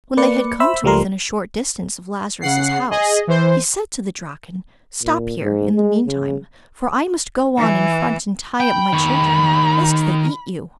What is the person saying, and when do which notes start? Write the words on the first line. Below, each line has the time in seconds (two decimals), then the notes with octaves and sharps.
When they had come to within a short; distance of Lazarus's house, he said to the Draken: 'Stop here, in the meantime, for I must go on in front and tie up my children, lest they eat you.'
0.17 A#3 B4 D5 C#7
0.60 C5 E5 B5 E6
0.84 C#2 F3 G3 A3 A#4 C6
2.41 C#3 F#5 C7
2.90 G#4 D#5
3.27 E3 C5
5.03 A#2
5.40 G#2
5.75 G#3
6.06 C#3
7.57 E3
8.60 G5 B5
8.93 D#3 C#5